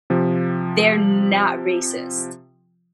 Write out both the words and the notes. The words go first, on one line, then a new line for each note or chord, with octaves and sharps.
they're not racist.
C3 F3